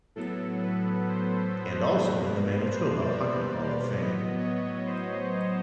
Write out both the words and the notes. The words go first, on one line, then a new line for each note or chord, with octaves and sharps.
And also in the Manitoba Hockey Hall of Fame.
A2 F#3 B3 A4
B4
C5
B2 G3 A#3 B4
C5
D5
D5
A2 F#3 B3 D#5
C#5
C5